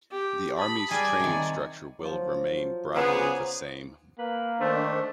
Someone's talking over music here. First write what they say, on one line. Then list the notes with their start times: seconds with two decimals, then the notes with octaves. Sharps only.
The Army's training structure will remain broadly the same.
0.11 G4
0.59 A5 B5 D#6
0.91 G3 G#4 D5 G#5
1.20 C3 D#3
1.99 F3 F#3
2.95 C#3 B3 G#4 C5 A#5 D6
4.19 A#3 B4
4.61 D#3 A3 D4 C5